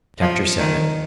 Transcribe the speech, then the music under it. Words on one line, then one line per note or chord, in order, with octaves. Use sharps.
Chapter VII.
F3
D#3